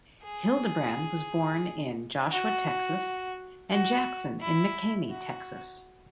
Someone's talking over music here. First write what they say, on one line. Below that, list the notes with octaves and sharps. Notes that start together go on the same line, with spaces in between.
Hildebrand was born in Joshua, Texas, and Jackson in McCamey, Texas.
G#4
F#4
F#4
E4
F#4